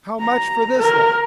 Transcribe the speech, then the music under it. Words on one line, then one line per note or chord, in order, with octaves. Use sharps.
How much for this lot?
A#5
A#4